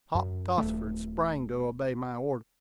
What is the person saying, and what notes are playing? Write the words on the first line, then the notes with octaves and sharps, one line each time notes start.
Hop Tossford sprang to obey my order.
F#2
D#1 A3